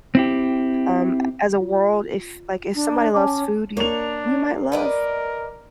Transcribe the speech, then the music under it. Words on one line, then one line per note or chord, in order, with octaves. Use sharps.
um, as a world if, like, if somebody loves food, y we might love,
C4 E4 G4
F4
D4
C#4 G#5 A5 D6
A#3 D4 C#5 F7
A#4 B4 D5 D#5